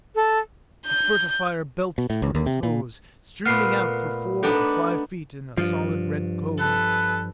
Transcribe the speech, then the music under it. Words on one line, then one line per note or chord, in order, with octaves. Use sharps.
A spurt of fire belched from his hose, streaming out for four or five feet in a solid red cone.
A4
G6
B2
A2
C#2
D#2
C3
A#2
A#2 A3 B3 F6 F#6 C7
B3 D4 D#4 A4
G2 F3
A4 B4